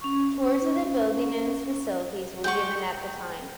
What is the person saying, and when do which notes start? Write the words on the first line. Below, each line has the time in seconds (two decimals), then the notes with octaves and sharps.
Tours of the building and its facilities were given at the time.
0.01 C#4 C#6
2.44 G#3 F#5 G5 C#6 D6